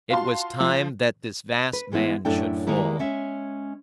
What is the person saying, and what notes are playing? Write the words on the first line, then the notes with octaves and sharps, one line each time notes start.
It was time that this vast man should fall.
F4 F#4 F5 A5 C6
F3
B4
E3 G#3 B3 E4
F#2 A2 A3 D4 E4 G5
D#3 G3 G#3 A#3 E4
G#3 C#4 E5